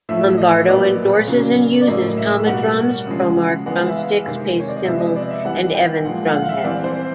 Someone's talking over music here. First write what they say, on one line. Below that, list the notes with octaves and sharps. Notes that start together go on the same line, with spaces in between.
Lombardo endorses and uses Tama Drums, Promark Drumsticks, Paiste Cymbals and Evans Drumheads.
A2 F3 A3 E5
D#5
A#2 F#3 B3 D5
C#3 F#3 A#3
D5
A2 F#3 A#3 D#5
E5
B2 G3 A#3 F#5
C#3 F3 G#3
E3 G#3 B3 F#5
E5
F5
C3 D#3 G#3 C4
C#5
D5
D#5
C3 F3 G#3 B3 E5
D#5
D5
E5
E3 G3 B3 F#5
G5
A#2 F3 G#3 F#5
F#5
F5
F5
E5
E3 G3 C4 D5
C5